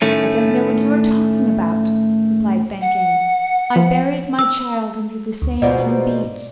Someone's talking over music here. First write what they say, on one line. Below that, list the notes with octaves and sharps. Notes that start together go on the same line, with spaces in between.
'I don't know what you are talking about,' replied Thakane. 'I buried my child under the sand on the beach.'
A2 D#3 A3 C#4
F#5
F3
E6
D2
G#2 B2 F3 D5 D#5